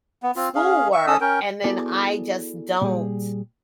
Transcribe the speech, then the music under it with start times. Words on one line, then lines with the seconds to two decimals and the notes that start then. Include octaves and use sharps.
schoolwork and then I just don't
0.23 B3
0.36 C4 F4
0.55 C#4 G#4 F5
0.93 E5 C#6
1.07 C#4 A4 D#6 E6
1.21 C#4 A#4 G5
1.64 B3 E4 F#4 G#4 A4 D5
2.82 A#2 G3 G#4